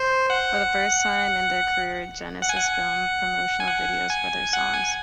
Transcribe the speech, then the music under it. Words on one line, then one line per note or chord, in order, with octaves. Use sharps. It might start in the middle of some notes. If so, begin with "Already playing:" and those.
For the first time in their career, Genesis filmed promotional videos for their songs.
Already playing: C5
F#5
F#5
G#5
F#5
G#5
F#5
G#5
F#5
G#5